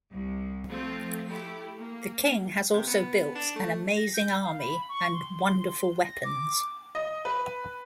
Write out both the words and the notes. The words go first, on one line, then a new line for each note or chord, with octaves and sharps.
The king has also built "an amazing army" and "wonderful weapons".
C2
F3 A3 C4 F4
A3 E4 G4
A#3
C3
B3
D4
A3
A#6
G6
F5
B5
C#6
C6
A#6
D6
D#5
B4